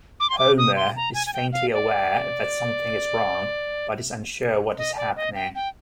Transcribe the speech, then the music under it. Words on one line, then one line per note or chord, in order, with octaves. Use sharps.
Homer is faintly aware that something is wrong, but is unsure what is happening.
D6
C6
D6
D#6
C6
A#5
G#5
G#5
G5
F5
D5
D#5
D5
D#5
G5
G5